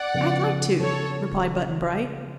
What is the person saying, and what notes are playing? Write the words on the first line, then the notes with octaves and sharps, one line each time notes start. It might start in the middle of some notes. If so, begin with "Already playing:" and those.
"I'd like to," replied Button-Bright.
Already playing: D5 F#5
C#3 F3 B3
A4 C#5